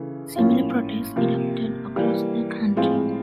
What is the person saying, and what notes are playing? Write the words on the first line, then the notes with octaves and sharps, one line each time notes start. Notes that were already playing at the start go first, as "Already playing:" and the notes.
Similar protests erupted across the country.
Already playing: C#3 E3 A3
A2 F3 A#3 C#4 F4
C3 F3 A#3
E3 G3 A#3
A2 F3 G#3 C4 F4